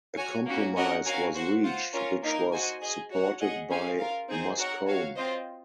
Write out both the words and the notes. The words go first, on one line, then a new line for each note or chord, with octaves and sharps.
A compromise was reached which was supported by Moscone.
F#4 C#5 G#5
A#3 C#4 F#4
C#4 F#4 A#4 D#5 F#5
C#4 F#4 A#4 F5 G#5
F#4 C5 F#5
F4 C5 F#5
C#4 F4 A#4 C#5
A#3 D#4 A#4
F#4 C5 D#5 G#5
G#4 D#5 G#5
F#4 C#5 F#5
G#4 D#5 F#5
C#4 G#4 C5 F5 G#5
F4 A#4 F5
C4 D#4 G#4 C5
F#4 A#4 C#5 F#5
F#4 C#5 F5
C4 F4 C5 D#5